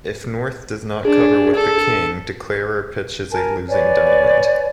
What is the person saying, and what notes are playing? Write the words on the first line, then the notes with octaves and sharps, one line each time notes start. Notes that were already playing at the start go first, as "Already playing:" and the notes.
If North does not cover with the king, declarer pitches a losing diamond.
D4 G#4
A4
A#4 G#5 A5
B4 C#5 D5 G#5